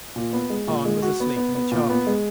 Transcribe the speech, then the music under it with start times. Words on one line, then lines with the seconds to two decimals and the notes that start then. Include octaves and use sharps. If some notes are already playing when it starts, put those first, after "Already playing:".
Hahn was asleep in the chart room.
0.16 A#2
0.33 B3
0.50 G#3
0.67 A#2
0.85 G#3
1.02 F#4
1.20 B3
1.36 B3
1.55 B3
1.72 A#2
1.89 B3
2.07 G#3